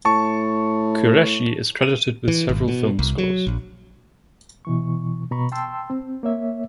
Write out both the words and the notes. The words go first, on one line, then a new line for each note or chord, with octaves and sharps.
Qureshi is credited with several film scores.
A2 A5 C#6
D#7
E3
G#1
B2
C2
F#3
A#1
B2 E3 C#6
B2 A#5 B5 C#6
G5 A5 C6 E6
C4
A#3 C#5 E5